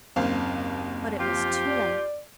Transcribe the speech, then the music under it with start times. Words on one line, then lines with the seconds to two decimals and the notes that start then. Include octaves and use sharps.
But it was too late.
0.16 F#1 D#2 C4 F5
1.19 F3 F4 G4
1.68 D5